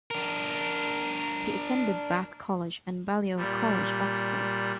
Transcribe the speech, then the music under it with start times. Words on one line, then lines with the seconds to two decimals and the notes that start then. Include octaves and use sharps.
He attended Bath College and Balliol College, Oxford.
0.11 D4 A#4
3.37 A#2 G3